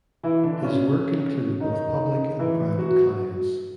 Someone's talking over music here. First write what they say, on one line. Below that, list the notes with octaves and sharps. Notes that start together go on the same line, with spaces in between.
His work included both public and private clients.
E3 E4
D3 D4
C#3 C#4
D#3 D#4
E3 E4
F#3 F#4